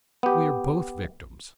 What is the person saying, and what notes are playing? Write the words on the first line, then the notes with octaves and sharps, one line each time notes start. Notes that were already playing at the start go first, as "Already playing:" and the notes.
We are both victims.
B3 G4